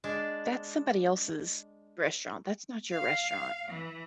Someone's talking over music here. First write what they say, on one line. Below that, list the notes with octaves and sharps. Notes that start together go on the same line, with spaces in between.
that's somebody else's restaurant, that's not your restaurant.
G#3 D4
F5
E3